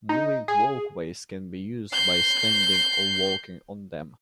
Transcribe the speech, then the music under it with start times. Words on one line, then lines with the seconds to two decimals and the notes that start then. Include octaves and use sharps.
Moving walkways can be used by standing or walking on them.
0.09 D#4
0.48 G#4
1.92 G6 C7